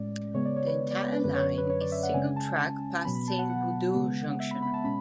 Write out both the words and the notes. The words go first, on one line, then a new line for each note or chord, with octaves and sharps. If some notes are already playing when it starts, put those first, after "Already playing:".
The entire line is single track past Saint Budeaux Junction.
Already playing: A2 G#3 C#4 D5
C#3 G#3 B3 C#5
D5
C#5
B4
D5
D5
B4
F#2 D3 F#3 C#4 B4
C#5
C#5
B4
C#5
D5
E5
F#5
C#3 G#3 C#4 G#5
A5
B2 F#3 B3 B5
B5
A5
F#5
F#5
C#3 G#3 B3
E5
B5
B5
A5
B2 G#3 C#4 B5